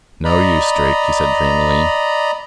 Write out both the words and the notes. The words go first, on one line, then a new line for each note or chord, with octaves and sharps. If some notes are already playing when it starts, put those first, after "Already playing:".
"No use, Drake," he said dreamily.
D5 D#5 A#5 B5